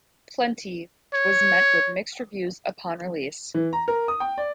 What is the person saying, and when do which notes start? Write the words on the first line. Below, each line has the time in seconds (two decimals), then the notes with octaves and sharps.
"Plenty" was met with mixed reviews upon release.
1.14 C#5
3.54 E3
3.73 A#5
3.88 A#4
4.08 D#6
4.20 G5
4.38 D5